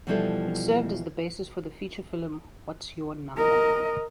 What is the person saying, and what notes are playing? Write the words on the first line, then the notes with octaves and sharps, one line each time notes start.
It served as the basis for the feature film What's Your Number?
B2 E3 F3 G3 E4 A4
A#4 D#5